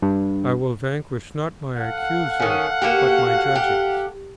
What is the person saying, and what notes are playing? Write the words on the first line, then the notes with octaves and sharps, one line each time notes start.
I will vanquish, not my Accuser, but my judges.
G2
A4 F5 F#5
D#3 C#4
A#3 F#4 G4
G4